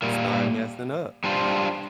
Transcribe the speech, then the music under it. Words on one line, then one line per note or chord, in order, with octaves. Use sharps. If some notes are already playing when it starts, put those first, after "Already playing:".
and started messing up. Y yes,
A#2 G3 A#3
G3 D4 F4 C5